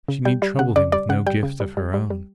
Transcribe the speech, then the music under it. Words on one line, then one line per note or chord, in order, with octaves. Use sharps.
She need trouble him with no gift of her own.
C#3
G3 G5
G3
C#3 F#5
C#3 D5
G3 D5
C#3 F#5
G3 G5
C#3
G3
G3
G3
G3